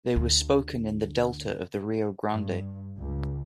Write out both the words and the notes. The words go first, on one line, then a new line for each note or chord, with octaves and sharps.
They were spoken in the delta of the Rio Grande.
D2 D4
G2
C#2